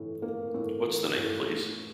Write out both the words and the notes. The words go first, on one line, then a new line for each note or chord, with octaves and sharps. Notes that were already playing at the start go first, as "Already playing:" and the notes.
What's the name, please?
Already playing: A2 E3
A#3
A2
E3
A2